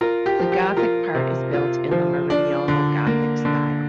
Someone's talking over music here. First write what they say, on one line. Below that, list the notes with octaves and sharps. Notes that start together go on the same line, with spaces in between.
The Gothic part is built in the Meridional Gothic style.
F4 A#4
G4
F3
G4
F4 A#4
C3
F4
F3
D4
D3
A#3
D3